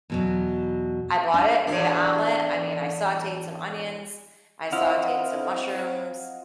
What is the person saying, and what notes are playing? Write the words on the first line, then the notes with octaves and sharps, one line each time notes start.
I bought it, made an omelet. I mean, I sautéed some onions, I sautéed some mushrooms,
E2 B2 F#3
D4
E2 A2 D4
C4 E4 F4 D#5 F#5 F6